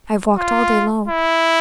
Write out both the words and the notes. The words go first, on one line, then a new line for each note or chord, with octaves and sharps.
I have walked all day long.
F4
E4